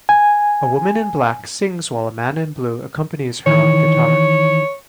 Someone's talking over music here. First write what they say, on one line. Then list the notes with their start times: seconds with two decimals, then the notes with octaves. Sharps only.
A woman in black sings while a man in blue accompanies her on guitar.
0.09 G#5
3.47 D#3 E3 C#5